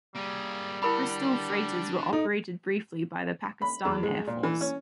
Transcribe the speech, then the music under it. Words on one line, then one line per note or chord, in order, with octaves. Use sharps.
Bristol Freighters were operated briefly by the Pakistan Air Force.
G3 A#3 G#4
D4 E4 A#4 F#5 B5
D#4 A4
B5
E2
G#3
A#2
E3
C#4